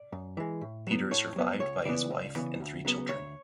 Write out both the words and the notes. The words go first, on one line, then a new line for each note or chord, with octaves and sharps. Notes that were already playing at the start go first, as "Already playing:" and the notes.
Peter is survived by his wife and three children.
Already playing: D5
F#2
E3 G#3
A2
F#3 B3
A2 C#5
F#3 B3
C#2 C#5
C#3 E3 B3 D5
C#2
C#3 E3 B3
D2
C#3 F#3 B3
D2 C#5